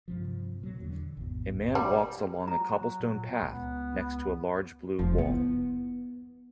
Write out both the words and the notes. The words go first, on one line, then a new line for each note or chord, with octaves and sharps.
A man walks along a cobblestone path, next to a large blue wall.
G2 C3 F3
A#2 F3 F#3
E2 D3
G#1 E2 B2
G3
F#3 A#5
A#2
C#2 B3
F1 F3
B3 E4